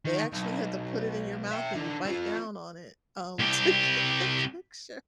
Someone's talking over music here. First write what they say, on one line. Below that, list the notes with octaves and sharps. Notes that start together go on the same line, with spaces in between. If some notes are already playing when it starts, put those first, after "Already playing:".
They actually had to put it in your mouth and you bite down on it, um, to get the picture.
D#3
B1
E5 G5
D#3 D4
C4 F4
C2 G4